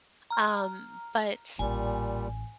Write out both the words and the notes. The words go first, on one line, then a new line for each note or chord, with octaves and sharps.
um, but,
A#5 F6
A1 A#2 G3 G#5